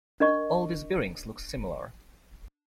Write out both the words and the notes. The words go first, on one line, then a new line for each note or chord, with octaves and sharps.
All these bearings look similar.
D4 A#4 D#5 C#6